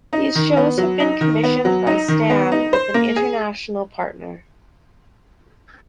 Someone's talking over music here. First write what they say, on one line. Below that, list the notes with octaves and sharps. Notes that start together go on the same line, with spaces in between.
These shows have been commissioned by Stan with an international partner.
D#4
D#3
B3
F#3
D#4
D#3
B3
F#3
D#4
D#3
B3
D#4
C5
A#3
G#4